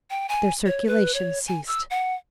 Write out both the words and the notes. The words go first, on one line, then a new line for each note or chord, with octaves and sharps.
There circulation ceased.
G5
G#5
C#5
B4
C#5
G#5
E6
F#5